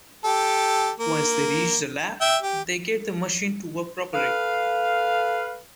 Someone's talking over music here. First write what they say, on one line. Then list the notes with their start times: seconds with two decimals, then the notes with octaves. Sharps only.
Once they reach the lab, they get the machine to work properly.
0.25 G4 A4
1.00 A#3
2.21 E5 G5
2.42 G4
4.14 A4 B4 F5